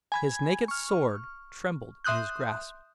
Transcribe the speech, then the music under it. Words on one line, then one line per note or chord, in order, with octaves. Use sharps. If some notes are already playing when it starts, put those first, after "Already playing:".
His naked sword trembled in his grasp.
G#5 B5 G#6
C#6 F6
E5 C6 D#6 F#6 G6